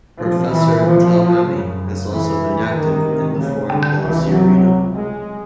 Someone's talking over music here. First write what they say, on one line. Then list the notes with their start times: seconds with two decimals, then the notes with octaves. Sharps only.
Professor Telhami has also been active in the foreign policy arena.
0.20 C2 A#2 F3
0.51 E3
0.84 F3
1.47 F#2 C#3
2.10 E3
2.73 D2 C3 D#3
3.37 C#3
3.68 D3
3.99 C#2 C3 E3
4.31 F#3
4.94 G#3